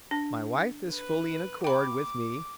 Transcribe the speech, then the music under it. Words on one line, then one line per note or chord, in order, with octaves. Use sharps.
My wife is fully in accord with me.
D4
B4
G5 B5 D6